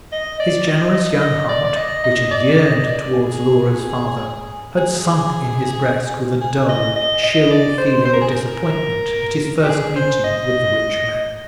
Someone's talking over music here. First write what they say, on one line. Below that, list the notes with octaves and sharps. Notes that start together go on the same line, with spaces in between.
His generous young heart, which had yearned towards Laura's father, had sunk in his breast with a dull, chill feeling of disappointment, at his first meeting with the rich man.
D#5
D5
D#5
D#5
D#5
D5
D5
D#5
D#5
D5
D#5
D5
G#4
G#4
G#4
D#5
D#5
D#5
D5
C5
C5
A#4
G#4
A#4
G4
G#4
C5
D#5